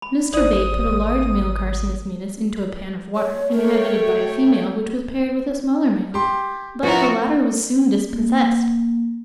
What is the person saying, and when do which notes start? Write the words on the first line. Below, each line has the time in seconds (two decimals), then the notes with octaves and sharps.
Mr. Bate put a large male Carcinus maenas into a pan of water, inhabited by a female which was paired with a smaller male; but the latter was soon dispossessed.
0.02 B5
0.34 G#1 C5 D5 D#6
3.16 C#5
3.51 A3 A#4 C#5 G5
4.05 F#4
6.14 G4 C6
6.83 F3 B3 E4 F#4 A#4
8.10 A#3